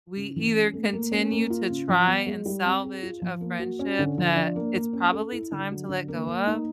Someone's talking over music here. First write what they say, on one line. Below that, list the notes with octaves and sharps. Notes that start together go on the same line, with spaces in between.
we either continue to try and salvage a friendship that it's probably time to let go of,
C#3
E3
C#4
A3
A#3
C#4
A#3
F4
C#3
F3
B3
G#3
G3
C4
G#4
F4
F3
A#3
F#4
C#4
D3
F3
D4
A#3
A#3
C#4
A4
E4
D3
F#3
D3
A#3
A#3
D#4